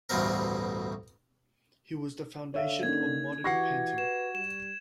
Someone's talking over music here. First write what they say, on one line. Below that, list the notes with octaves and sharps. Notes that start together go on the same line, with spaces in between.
He was the foundation of modern painting.
A1 D2 G2 B2 C4 A#4
D3 C#5 E5 F5
A#3 C#4 D#4 G#6
E3 F#4 G4 F#5 C#6 A#6 C7
B4 E7
G3 E7